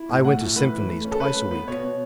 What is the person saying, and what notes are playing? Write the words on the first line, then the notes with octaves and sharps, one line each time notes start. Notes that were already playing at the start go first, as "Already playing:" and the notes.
I went to symphonies twice a week.
Already playing: E4
A2
A3 F#5
A2
A2 B4
E3
A3
C#4
A4
C#4 B4
A3
B3 B4
B2 C#5
B2